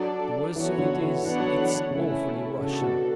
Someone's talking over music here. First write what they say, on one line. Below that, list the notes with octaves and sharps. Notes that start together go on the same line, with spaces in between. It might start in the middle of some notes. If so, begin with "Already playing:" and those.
The worst of it is it's awfully Russian.
Already playing: F#3 D4 A4 D5
E3 B3 F#4 A4 C#5
D3
E3
E3 B3 D4 A4 C#5 F#5
F#3
E3
D3
C#3 A3 C#4 E4
C#3 D4 F#4 A4
B2